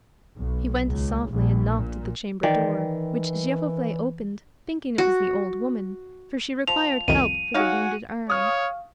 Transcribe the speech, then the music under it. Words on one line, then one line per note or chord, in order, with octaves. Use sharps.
He went softly and knocked at the chamber door, which Giroflee opened, thinking it was the old woman, for she required help for the wounded arm.
B1
C#2
A#1
A#2
D#3 E3 D5 G5
F#4
F3 F7
C2 F2 D#3 D#7
D#4 F#4 C#5 F5 F#5 G#5
C#5 F5 C#6 D#6 F6